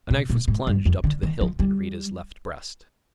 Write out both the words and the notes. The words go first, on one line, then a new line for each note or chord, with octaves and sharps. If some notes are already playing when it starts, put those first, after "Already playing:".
A knife was plunged up to the hilt in Rita's left breast.
C3
A#2
G#2
G2
F2
D3
D#3
F3
G3